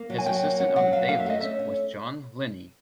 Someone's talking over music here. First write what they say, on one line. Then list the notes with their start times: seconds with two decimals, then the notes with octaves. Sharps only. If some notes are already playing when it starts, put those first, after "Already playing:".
His assistant on the dailies was John Liney.
Already playing: A#3
0.10 F#3
0.18 G#5
0.26 F#3 G5
0.43 A#3
0.60 C#4 F#5
0.76 F#3 F#5
0.93 F#3 F5
1.09 A#3 F5
1.20 E5
1.26 A3 D#5
1.41 C#4 E5
1.59 C#4